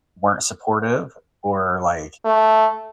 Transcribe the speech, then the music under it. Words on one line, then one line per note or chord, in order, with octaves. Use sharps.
weren't supportive, or like,
A3